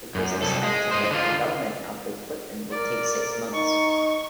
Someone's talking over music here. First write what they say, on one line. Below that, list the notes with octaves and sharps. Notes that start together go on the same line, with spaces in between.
It was expected that development of the equipment would take six months.
F#2
C2 A4
G#3
C5 D#5
D3 F4
A#4 D5
D#4 C#6